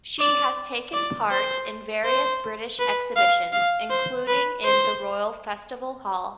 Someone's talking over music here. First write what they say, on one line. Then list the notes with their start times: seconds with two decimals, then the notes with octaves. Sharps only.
She has taken part in various British exhibitions, including in the Royal Festival Hall.
0.19 D5
0.94 D5
1.31 C5
2.05 C5
2.79 B4
3.16 F5
3.53 F5
3.90 C5
4.27 B4
4.64 C5